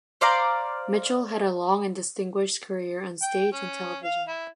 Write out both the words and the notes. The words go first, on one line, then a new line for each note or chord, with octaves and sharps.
Mitchell had a long and distinguished career on stage and television.
C5 D5 F5 A#5
G5
C#4
F5
E4